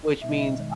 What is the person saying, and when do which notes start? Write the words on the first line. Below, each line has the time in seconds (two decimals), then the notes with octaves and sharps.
Which means,
0.21 B2 G3 B3 D#4 E5
0.30 D#5
0.38 E5
0.55 D#3 G#3